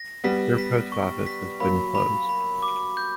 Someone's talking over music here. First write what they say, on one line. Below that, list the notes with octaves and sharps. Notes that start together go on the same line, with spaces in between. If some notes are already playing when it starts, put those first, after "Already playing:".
Their Post Office has been closed.
Already playing: A#6
G3 B3 B6
B6
C#6
B6
F#3 A#3 B5
B5
B5
D6
G6